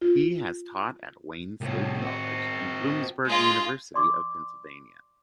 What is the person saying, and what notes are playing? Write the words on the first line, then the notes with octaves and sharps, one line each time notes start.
He has taught at Wayne State College and Bloomsburg University of Pennsylvania.
F4
C2 A2
C4 F#4
G#3 F4
D5 C6 D6